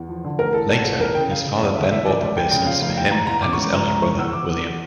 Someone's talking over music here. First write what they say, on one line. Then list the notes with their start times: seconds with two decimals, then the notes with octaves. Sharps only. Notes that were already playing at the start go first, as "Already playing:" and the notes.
Later, his father then bought the business for him and his elder brother, William.
Already playing: E2
0.09 F3
0.24 D3
0.39 A1 A#4
0.54 E3 A4
0.70 A1 A4
0.85 A1 A4
0.99 E3 A#4
1.15 C#3 G5
1.31 C#3 F5
1.46 C#3
1.60 E2 D5
1.75 D3 E5
1.91 E2 E5
2.06 F3 D5
2.21 C#2 D5
2.36 C#2 G5
2.51 C#3 G5
2.66 F3 F5
2.81 F1 F5
2.97 E2 G5
3.12 E2 A#5
3.27 E2 A#5
3.42 C#3 D6
3.53 C#6
3.58 C#2
3.73 F3 A#5
3.88 C#2 A#5
4.03 E3 C#6
4.18 E2 E6
4.33 E2 D6
4.49 E2